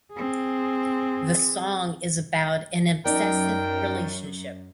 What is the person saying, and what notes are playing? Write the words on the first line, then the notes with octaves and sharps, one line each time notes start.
The song is about an obsessive relationship.
C4 G#4
F#2 D#4 A#4 D5 G5